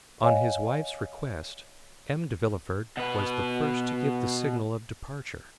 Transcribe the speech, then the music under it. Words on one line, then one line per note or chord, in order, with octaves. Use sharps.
On his wife's request, M. de Villefort was the first to give the signal of departure.
C#5 D#5 F5 G#5
B2 B4